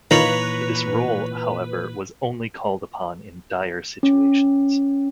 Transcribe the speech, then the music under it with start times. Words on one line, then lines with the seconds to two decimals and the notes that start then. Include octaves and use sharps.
This role, however, was only called upon in dire situations.
0.11 A#2 D#3 E3 D#4 F4 B4 C#5 A#5
4.03 C#4